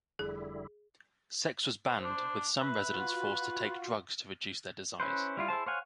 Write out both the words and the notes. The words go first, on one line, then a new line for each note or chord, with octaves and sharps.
Sex was banned, with some residents forced to take drugs to reduce their desires.
F1 D3 G3 E4 G#4
C5
D4
B4 E5
F4 F#4
C#4 E4 B4 C5
G3 E4 F4
E4 G#4 C5 A5
C5 C#5 F5 F#5 G#5